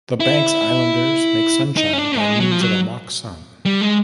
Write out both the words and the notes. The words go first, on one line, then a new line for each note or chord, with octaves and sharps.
The Banks Islanders make sunshine by means of a mock sun.
E4
D#4
C#4
D4
G#3
F#3
F3
F#3
G3
G#3